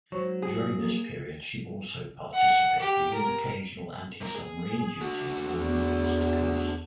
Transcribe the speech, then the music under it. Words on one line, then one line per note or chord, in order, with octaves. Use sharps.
During this period, she also participated in occasional anti-submarine duty along the East coast.
G#2 F#3 C5 C#5 C#6
G#4
A#3
F#5
G4
A#4
G#2 A#4
G#4
D3 F#4
E2